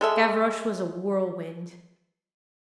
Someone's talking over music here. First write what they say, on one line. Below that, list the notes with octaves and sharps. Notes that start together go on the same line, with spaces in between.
Gavroche was a whirlwind.
G#3 A4 E5